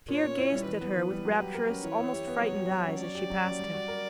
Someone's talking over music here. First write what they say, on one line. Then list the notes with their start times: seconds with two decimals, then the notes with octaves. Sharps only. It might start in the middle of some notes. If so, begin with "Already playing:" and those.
Pierre gazed at her with rapturous, almost frightened, eyes as she passed him.
0.08 A#2 C#5
0.23 C#4
0.37 E4
0.52 G3
0.66 E3 B4
0.81 B3
0.96 E3
1.10 G3
1.25 F#3
1.40 G4
1.54 A#4
1.69 C#4
1.83 E3 C#5
1.98 E4
2.13 G4
2.27 B3
2.41 F#3
2.57 G4
2.71 F#3
2.86 C#4
3.00 F#3 D5
3.15 G4
3.30 F#3
3.45 C#4
3.59 G3
3.74 F#4
3.88 A#4